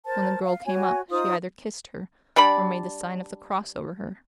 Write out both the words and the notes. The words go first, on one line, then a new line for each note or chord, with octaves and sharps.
When the girl came up, she either kissed her, or made the sign of the cross over her.
A#4 C5 A5
F5
F#4 C#5 G#5
D#4 F4 C5 D#6
G3 D4 D5 B5